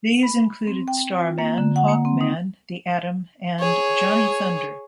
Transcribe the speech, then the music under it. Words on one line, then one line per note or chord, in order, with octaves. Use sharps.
These included Starman, Hawkman, The Atom and Johnny Thunder.
B5
C4
G5
F4
A#3
D3
F#5
A#3
C4
D#4
G#4 C#5